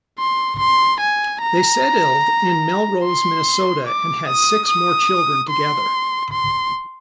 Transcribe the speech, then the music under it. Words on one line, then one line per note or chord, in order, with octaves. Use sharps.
They settled in Melrose, Minnesota and had six more children together.
C6
C6
G#5
A#5
C6
D6
D#6
D#6
C6
C6